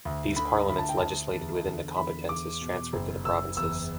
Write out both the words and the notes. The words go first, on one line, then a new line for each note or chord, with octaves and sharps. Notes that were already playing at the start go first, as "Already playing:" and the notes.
These parliaments legislated within the competences transferred to the provinces.
D2
D3 B5
D2 B5
A5
G5
D2 A5
E2
D3
E2 B5
E2 D6
B2
F#1
F#1 E6
E2 E6